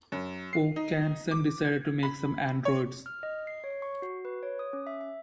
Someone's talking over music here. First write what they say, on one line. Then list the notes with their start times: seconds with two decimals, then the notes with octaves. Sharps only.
Vaucanson decided to make some androids.
0.12 F#2
0.53 C7
0.76 D#4
1.31 D6
1.65 G#6
2.03 B5
2.65 C#5
3.06 F6
3.23 D#5
3.47 C7
3.64 C#5
3.82 C#6
4.02 F#4
4.25 B4
4.43 C#5
4.59 D#6
4.73 C#4
4.87 E5
5.01 E5